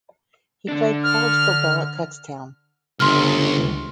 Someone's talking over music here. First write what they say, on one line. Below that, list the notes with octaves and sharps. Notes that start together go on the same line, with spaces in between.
He played college football at Kutztown.
D3 D4
F6
G1 C#2 C6 F6